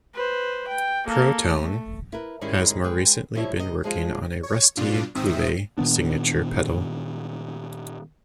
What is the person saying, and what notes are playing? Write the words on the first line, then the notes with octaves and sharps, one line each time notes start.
ProTone has more recently been working on a Rusty Cooley Signature pedal.
B4 C5
G5
A#3 A4
A3
E4 A#4 B4
G#2 D#3 G3 G#3 C#4 E4
G#3 B4 G5
A2 F3 G3 E4 C#5
C3 D#5
F3 G#3 C4 F4
C#5
G2 B2 D4 F4
G#2 D#3 C4 E5 D#6
A#2 D#3 B3 D4